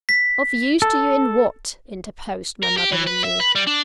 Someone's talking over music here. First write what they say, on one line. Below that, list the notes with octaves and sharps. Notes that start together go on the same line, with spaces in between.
"Of use to you in what?" interposed my mother-in-law.
B6
A4
A#4
G4
E3
B4
E5
B4
G3
D4